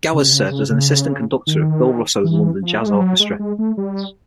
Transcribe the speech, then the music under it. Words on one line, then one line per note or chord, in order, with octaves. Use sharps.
Gowers served as assistant conductor of Bill Russo's London Jazz Orchestra.
C#3
C3
C#3
C#3
C#3
D#3
E3
F3
A3
G#3
G3
F#3
G#3
G#3
A3
G3